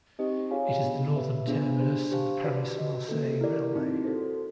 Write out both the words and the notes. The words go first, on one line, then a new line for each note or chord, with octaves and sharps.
It is the northern terminus of the Paris-Marseille railway.
C4 D#4 G4 C5 D#5
F4 G#4 C#5 F5 G#5
B3 D4 F4
G4 B4 E5
B3 D4 F4 G#4 C5
D4 G4 C5
G4 C5 F5 A5
F#4 B4 D5
F#4 B4 D#5
A#3 C#4 F4 A4
E4 G4 A#4 D5
C4 D#4 F#4
F#4 A4 C5